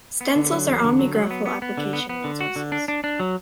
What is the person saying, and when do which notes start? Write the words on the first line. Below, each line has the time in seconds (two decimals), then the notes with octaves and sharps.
Stencils are OmniGraffle application resources.
0.21 B3
0.36 D3
0.52 F#3
0.68 E2
0.84 D3
0.99 F#3
1.15 F#3
1.31 B3
1.46 B3
1.62 B3
1.77 D3
1.93 B3
2.09 B3
2.24 D3
2.41 F#4
2.56 D3
2.72 D4
2.88 D4
3.04 D4
3.20 F#3